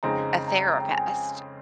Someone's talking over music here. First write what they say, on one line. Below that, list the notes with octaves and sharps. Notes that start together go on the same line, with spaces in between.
a therapist
F2 C#3 G#3 C4 D#4 A#5
A#5
G5
G#5